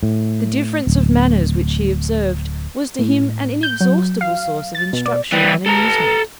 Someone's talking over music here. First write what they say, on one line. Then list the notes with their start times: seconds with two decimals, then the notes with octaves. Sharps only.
The difference of manners which he observed was to him an inexhaustible source of instruction and amusement.
0.03 A2
0.87 D1
2.99 A2
3.63 G6
3.81 F#3
4.21 F5
4.75 A6
4.93 B2
5.06 D5
5.32 E3 G3
5.66 A4 A#5